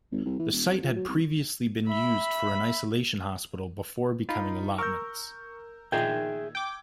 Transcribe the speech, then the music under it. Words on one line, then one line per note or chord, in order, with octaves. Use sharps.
The site had previously been used for an isolation hospital before becoming allotments.
G#1
C2
E3
E1
F2
F3
F#3
C2
E5 B5
D#4 F4 B5
A#4 C#6 E6 G6
A#2 D#3 G#4 E5 G5 G#6
G5 D6